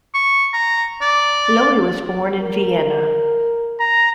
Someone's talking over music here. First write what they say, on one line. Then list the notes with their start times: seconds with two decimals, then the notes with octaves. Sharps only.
Loewy was born in Vienna.
0.14 C#6
0.53 A#5
1.02 D5
2.42 A#4
3.80 A#5